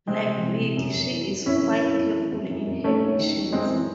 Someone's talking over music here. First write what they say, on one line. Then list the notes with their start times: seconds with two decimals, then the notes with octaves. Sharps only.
Like Vic, she is quite careful in her actions.
0.07 C3 G#3 C4
0.25 C3
0.42 C2
0.59 C3
0.77 F#2
0.94 F#2
1.11 E3
1.29 F#2
1.46 F#2 C#4 E4
1.63 E3
1.81 F#2
1.97 F#2
2.14 E3
2.31 F#2
2.49 F#2
2.66 F#2
2.84 D#2 A3 C#4
3.01 D#2
3.18 D#3
3.36 D#3
3.53 F#2 G#3 C4
3.69 E3